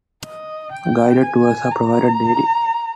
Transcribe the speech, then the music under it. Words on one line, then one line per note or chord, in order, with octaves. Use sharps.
Guided tours are provided daily.
D#5
G5
G#5
A#5